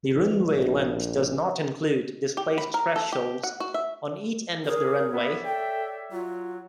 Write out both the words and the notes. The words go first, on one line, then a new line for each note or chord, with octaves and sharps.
The runway length does not include displaced thresholds on each end of the runway.
E3
A#1
G4
B5
A#4
A4
G4
F#5
F#4
E5
G#4 A#4
B3 C#5 D5 E5
A4 G5
F#3 F4